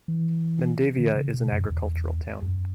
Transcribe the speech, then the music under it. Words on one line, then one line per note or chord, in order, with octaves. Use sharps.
Mendavia is an agricultural town.
E3
D3
C#3
B2
F#2
E2
F#2